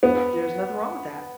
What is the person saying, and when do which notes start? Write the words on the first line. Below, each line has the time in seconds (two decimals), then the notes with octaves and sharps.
There's nothing wrong with that.
0.03 B3